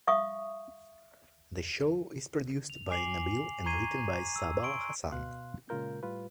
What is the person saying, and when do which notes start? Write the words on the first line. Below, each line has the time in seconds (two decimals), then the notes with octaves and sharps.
The show is produced by Nabeel and written by Saba Hassan.
0.07 E5 F5 C#6 D#6
2.70 F7
2.90 G#5 D6 C7 F7 F#7
3.66 A#5 C#6 G#6 C7 D#7
4.36 E6
4.63 C6 C#6 D7
5.12 B2 F5 C6 F#6
5.69 A#2 C#3 G#3 F4 A#4 G6
6.03 A2 G3 F4 B4